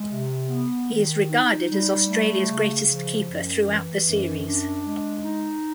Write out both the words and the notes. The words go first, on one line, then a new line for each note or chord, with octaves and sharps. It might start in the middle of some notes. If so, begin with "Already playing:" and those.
He is regarded as Australia's greatest keeper throughout the series.
Already playing: G#3
C3
B3
D#3
D#4
G3
A3
C#3
F3
F#2
E3
F#2
D4
G#3
D#4